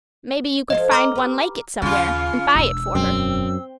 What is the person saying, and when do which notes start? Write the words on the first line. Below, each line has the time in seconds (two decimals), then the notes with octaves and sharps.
"Maybe you could find one like it somewhere and buy it for her."
0.70 F3 A4 C5 D#5
0.91 A#4 A#5 D6 F6
1.15 G4 B4
1.82 D#2 C#3 F4 F6
2.55 E1 D4 E6
2.95 F#2 C4